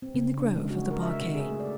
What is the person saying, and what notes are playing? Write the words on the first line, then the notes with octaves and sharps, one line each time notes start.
"In the grove of the parquet."
C4
C#3
D4
G#3
F#4
A#4
E5
C3
G#4
A3
D5